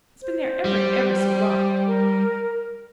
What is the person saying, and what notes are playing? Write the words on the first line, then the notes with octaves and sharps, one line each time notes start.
It's been there ever and ever so long!
C5
G3
A#4